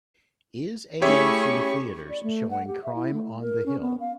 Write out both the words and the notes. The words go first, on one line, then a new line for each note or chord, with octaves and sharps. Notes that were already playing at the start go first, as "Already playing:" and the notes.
Is AMC Theaters showing Crime on the Hill?
A3 C#4 E4 G4 G#4 C#5 E5 C#6
D5
A3
F#5
G4
E5
E4
A3
A#4
C#4
B3
F5